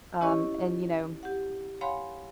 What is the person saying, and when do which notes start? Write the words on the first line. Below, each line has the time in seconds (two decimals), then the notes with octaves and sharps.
Um, and, you know,
0.21 C#4 E4 G4 C#5 D#5 C#6
1.23 G4 F#5
1.81 C#5 F5 F#5 G#5 B5 C6